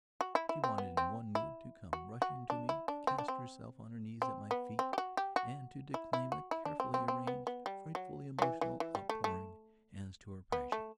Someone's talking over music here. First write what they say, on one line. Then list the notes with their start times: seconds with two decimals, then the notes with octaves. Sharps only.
She wanted, in one mood, to come rushing to me, to cast herself on her knees at my feet and to declaim a carefully arranged, frightfully emotional, outpouring as to her passion.
0.21 F#4
0.35 E4
0.49 E4
0.64 C4
0.78 B3
0.97 C4
1.35 E4
1.93 F#4
2.22 F#4
2.50 D4
2.69 E4
2.88 D4
3.07 C4
3.18 D4
3.28 C4
4.22 C4
4.51 B3
4.79 C4
4.93 G4
4.98 F#4
5.17 G4
5.36 F#4
5.94 E4
6.13 E4
6.32 F#4
6.51 E4
6.65 D4
6.80 C4
6.94 C4
7.08 C4
7.27 B3
7.47 B3
7.66 G3
7.95 F#3
8.39 F#3
8.42 E3
8.61 E3
8.80 E3
8.95 G3
9.09 A3
9.24 A3
10.52 B3
10.72 A3